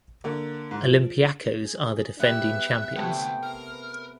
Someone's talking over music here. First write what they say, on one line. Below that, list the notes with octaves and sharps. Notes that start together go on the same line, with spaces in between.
Olympiacos are the defending champions.
D3 A#3
G#2
F3
G#4
B3 G4 B4 E5 F#6
D2 C3 A3 B3 G5
A#4 F6
B4